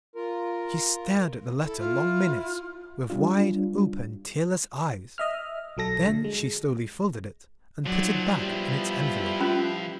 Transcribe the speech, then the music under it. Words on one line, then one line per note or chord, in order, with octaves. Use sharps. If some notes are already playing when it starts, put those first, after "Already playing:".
She stared at the letter long minutes with wide-open, tearless eyes, then she slowly folded it and put it back in its envelope.
F4 A#4
E4 A4
F4
G3 D4 F4
D#5 E5 F6
B1 F#3 A4 A#6
D3
G#3
F3 F#3 D#4 D5
G3 B3 E4
C#4 F4